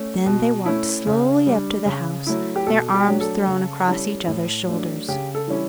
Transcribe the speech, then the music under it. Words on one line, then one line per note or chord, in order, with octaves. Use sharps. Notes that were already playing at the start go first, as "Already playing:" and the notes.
Then they walked slowly up to the house, their arms thrown across each other's shoulders.
Already playing: A3 C#4
B2
A3 C#4 E4
C#3
G3 D4
C#3
F#3 A3 E4
G4
B2 A4
G4
F#3 A3 D4
A4
C#3
G3 C#4 E4
A2
F#3 A3 D4
C#3 G4
A4
E3 G3 C#4 E4